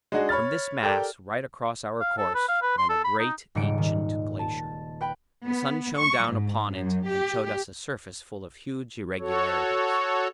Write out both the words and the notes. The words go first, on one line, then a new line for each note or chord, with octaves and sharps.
From this mass, right across our course, ran a great, ancient glacier; the sun shone down upon it and showed us a surface full of huge irregularities.
G#3 D4 D#4 F#4 G#4
C#5 B5 F6 A6
G4 A4 A#4 D5 G5
F5
A4
B4
F5
B4
C6
A4
B5
D#4
D#1 G#2 C#3 G3 C#7 D7
D#3
A5
B4 G5 B5
B3
C#6
G#2
F#2
G4
F#4 A4 C#5